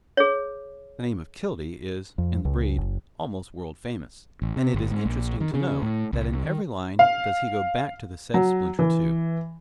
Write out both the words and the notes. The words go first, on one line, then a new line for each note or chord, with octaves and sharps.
The name of Kildee is, in the breed, almost world-famous, and it is interesting to note that in every line does he go back to the said Splinter II.
G#4 C#5
F2
C#2
F#1
A1
C3
G1
G#2
A#1
D#3
C#3
A2
C2
D#3
F5
F#3
E3